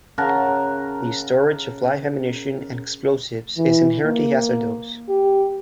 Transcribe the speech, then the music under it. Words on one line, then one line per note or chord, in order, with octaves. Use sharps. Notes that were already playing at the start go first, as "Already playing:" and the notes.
The storage of live ammunition and explosives is inherently hazardous.
C#3 A#4 F#5 A5
E3
A#3
G4